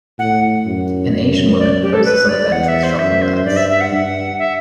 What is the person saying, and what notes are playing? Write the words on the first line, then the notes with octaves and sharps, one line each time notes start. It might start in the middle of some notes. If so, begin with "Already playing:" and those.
An Asian woman poses on a bench with shopping bags.
A2 F#5
F#2
F#2
D5
G4
A4
B4
D5
E2 F#5
E5
C5
F#2 E5
C5
G2 D5
E5
E5
F#5
G2
E5